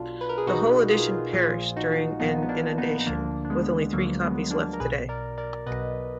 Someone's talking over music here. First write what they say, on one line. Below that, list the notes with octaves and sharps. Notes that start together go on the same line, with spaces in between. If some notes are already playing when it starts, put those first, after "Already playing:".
The whole edition perished during an inundation, with only three copies left today.
Already playing: B1 B2 D4 F4
B4
A#4
G#4
B1 B2 D#4 F#4
F4 G#4
A#1 A#2 F3 F4 G#4
D#4 F#4
A#1 A#2 F3 B3 D#4
B3
A#3 D4
B3 D#4
D#4
D2 D3 F3 A#3 D4
D4
G#3 B3
D2 D3 F3 F#3 A#3
G#3 B3
A#3 D4
A#4
B1 B2 G#4 B4
A#4 D5
A#4 D5
B1 B2 B4 D#5